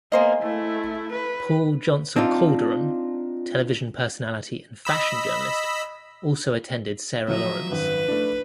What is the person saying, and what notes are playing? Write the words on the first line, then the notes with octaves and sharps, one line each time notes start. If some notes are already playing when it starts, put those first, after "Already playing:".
Paul Johnson Calderon, television personality and fashion journalist also attended Sarah Lawrence.
G#3 A#3 B3 C5 D#5
A3 E4
B4
C4 D4 D#4 F4
D#5 B5 E6
F3 F#3 D#5 E5
G#1 F#2 B4
A3 D4